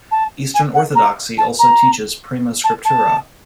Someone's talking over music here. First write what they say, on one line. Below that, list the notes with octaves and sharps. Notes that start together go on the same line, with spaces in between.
Eastern Orthodoxy also teaches prima scriptura.
A5
G#5
F#5
A#5
A5
A#5
A5
A5